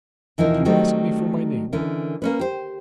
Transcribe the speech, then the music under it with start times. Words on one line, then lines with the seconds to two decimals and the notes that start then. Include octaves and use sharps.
"Did you ask me for my name?"
0.38 D#2 E3 F3 D#4 A#4
0.65 D#3 F#3 G3 A3 C4 D#4
1.73 D3 E3 C#4 A#4
2.22 A#3 C#4 B4
2.39 G4 C5